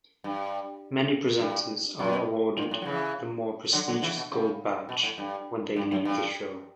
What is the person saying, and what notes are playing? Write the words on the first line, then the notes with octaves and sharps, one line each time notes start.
Many presenters are awarded the more prestigious "gold badge" when they leave the show.
G2
G2
F#2
G2
A2
F#3
C#3 E3
D3 F#3
D3 F#3
C#3 E3
B2
C#3
B2
A2
G2
G2
F#2
G2